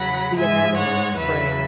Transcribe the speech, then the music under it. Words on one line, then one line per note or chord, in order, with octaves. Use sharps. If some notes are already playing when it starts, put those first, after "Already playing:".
The anatomy. Right.
Already playing: E2 C#3 F#3 F#5 B5
G#2 G#3 E5 G#5
C#5 F#5
E2 C#3 F#3 B4 E5